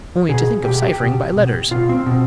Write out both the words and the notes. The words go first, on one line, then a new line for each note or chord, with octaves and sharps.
Only to think of cyphering by letters!
B2 G#4
B2 G4
G4
B2
B2
B2 F4
C4
B2